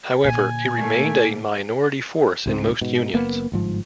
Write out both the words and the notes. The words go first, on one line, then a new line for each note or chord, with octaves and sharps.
However, it remained a minority force in most unions.
A#2 D3 G#5
A3 A#3
C#2 G#2 C4
G#2 B2
F#1 A#3 B3
G1 G#2 F3